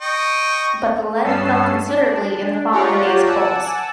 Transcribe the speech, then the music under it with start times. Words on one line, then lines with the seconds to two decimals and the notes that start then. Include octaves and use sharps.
But the lead fell considerably in the following day's polls.
0.01 D#5 G5 C#6
1.23 G2 B3 C#4 A5 E6 C7
1.86 D4
2.71 F4 G4 C#5 D5 F#5 A#5
3.26 F#5 G#5 A5 D6 E6